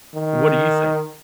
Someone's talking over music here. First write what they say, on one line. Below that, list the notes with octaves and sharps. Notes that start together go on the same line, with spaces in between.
What do you think?
D#3